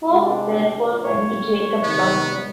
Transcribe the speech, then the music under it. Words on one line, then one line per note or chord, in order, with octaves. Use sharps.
Pope therefore went to Jacob Tonson.
C3 G#3 D4 G4
C#5
C3 D#3 B3